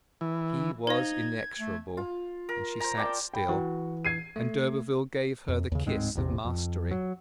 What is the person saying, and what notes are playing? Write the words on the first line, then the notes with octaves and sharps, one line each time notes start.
He was inexorable, and she sat still, and d'Urberville gave her the kiss of mastery.
E3
D#4 C5 F5 G#6
A3
F4
A#4
C5 A#5
D5 G5 A5
G5 B5
E3 F#4
G#6 C7 D#7
A3
F2
D#2 C#3
D1 G#2 G#3 C4
A1 E2 C3
F2
F#3